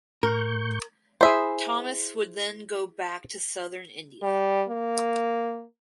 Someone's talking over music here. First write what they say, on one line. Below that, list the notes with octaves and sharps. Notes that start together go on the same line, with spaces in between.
Thomas would then go back to southern India.
A2 A#4 C#6 G6
E4 G#4 C5 E5
G3
A#3